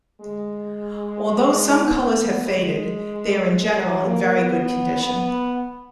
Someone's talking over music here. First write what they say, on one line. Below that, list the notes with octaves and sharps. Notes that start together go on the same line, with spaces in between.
Although some colours have faded, they are in general in very good condition.
G#3
B3
G#3
F#3
A#3
B3
B3